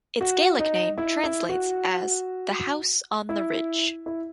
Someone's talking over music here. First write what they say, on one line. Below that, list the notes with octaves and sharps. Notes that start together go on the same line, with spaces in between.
Its Gaelic name translates as "the house on the ridge".
F#4
D#4
E4
E4
F#4
E4
E4